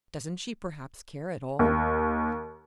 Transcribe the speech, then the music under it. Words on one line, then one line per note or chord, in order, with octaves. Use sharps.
Doesn't she perhaps care at all?
D#2